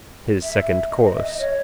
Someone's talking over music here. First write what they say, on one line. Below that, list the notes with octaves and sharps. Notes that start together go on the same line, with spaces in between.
His second course.
E5
D#5
D#5
E5
D#5
C#5